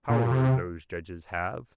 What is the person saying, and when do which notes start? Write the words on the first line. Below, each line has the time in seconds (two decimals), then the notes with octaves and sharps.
Power those judges have.
0.09 A#2
0.31 C3